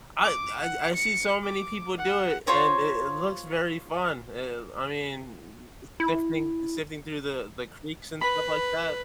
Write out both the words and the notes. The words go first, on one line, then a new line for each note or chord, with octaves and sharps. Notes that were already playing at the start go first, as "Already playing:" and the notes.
I I I see so many people do it, and it it looks very fun, uh, I mean, sifting sifting through the the creeks and stuff like that.
D6
F#5
C#7
D6
F#5
F4 C5 C#5 A#5
E4
B4 B5